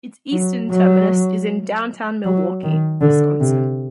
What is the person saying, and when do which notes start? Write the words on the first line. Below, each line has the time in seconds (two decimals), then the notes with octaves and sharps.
Its eastern terminus is in downtown Milwaukee, Wisconsin.
0.32 F#3
0.71 F#3
2.25 F#3
2.63 D#3
3.01 D3
3.40 C3